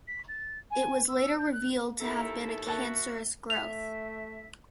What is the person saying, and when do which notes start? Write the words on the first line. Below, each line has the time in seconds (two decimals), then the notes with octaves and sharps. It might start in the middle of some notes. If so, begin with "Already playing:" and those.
It was later revealed to have been a cancerous growth.
0.08 B6
0.28 A6
0.71 G#5
1.08 E6
1.39 G6
1.52 F#6
2.00 D#2 E4 A4 A#4 E5
2.67 A#3 F#4 E5 A5
3.50 A3 E5 F7